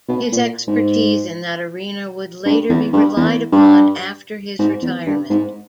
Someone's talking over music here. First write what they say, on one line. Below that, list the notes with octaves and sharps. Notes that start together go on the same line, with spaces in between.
His expertise in that arena would later be relied upon after his retirement.
B2
A#2
G#2
G2
E2
G2
E2
G2
G#2
E2
G2
G#2